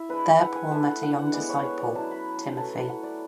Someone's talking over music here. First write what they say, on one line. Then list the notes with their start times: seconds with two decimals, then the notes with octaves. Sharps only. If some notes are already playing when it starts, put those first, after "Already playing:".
There Paul met a young disciple, Timothy.
Already playing: E4 E5
0.09 G#3 D4 B4
0.40 F#5
0.55 G#5
0.71 A3 E4 A5
0.87 F#5
1.03 F#5
1.18 F#5
1.33 G#3 B3 D4 D5
1.49 C#5
1.65 C#5
1.80 D5
1.95 F#3 C#4 E4 A5
2.11 B5
2.57 F#3 A3 C#4 E4 A5
2.89 F#5
3.03 D5